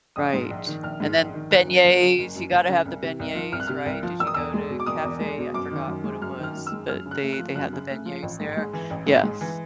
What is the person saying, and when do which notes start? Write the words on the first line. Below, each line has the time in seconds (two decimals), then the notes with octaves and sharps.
Right, and then beignets, you gotta have the beignets, right, did you go to cafe I forgot what it was, but they they had the beignets there, yes.
0.16 A#1 D#6
0.33 G#2
0.50 A#1
0.67 D#3
0.83 A#1 F6
1.00 G#2
1.18 A#1
1.34 D#3
1.51 F#1 F#6
1.68 F#2
1.85 F#1
2.02 C#3
2.19 F#1
2.35 F#2
2.52 F#1
2.69 C#3
2.85 C2
3.02 C3
3.19 C2
3.35 F3
3.52 C2 F6
3.60 F#6
3.67 C3 F6
3.86 C2
4.03 F3
4.19 E1 E6
4.27 D#6
4.34 E2 E6
4.54 G#3
4.70 B2
4.80 D6
4.86 E1 D#6
5.03 E2
5.21 G#3
5.38 B2
5.54 F#2 D6
5.71 D#3
5.87 F#2
6.04 G#3
6.22 F#2 F6
6.38 D#3
6.43 F6
6.55 F#2
6.67 E6
6.72 G#3
6.89 F#2 F6
7.06 C#3
7.11 F#6
7.22 A3
7.33 F#6
7.38 F3
7.55 F#2 F#6
7.73 C#3
7.90 A3
8.06 F3
8.23 A1
8.40 G#2
8.57 G#3
8.73 E3
8.90 A1
9.07 G#2
9.23 G#3
9.41 E3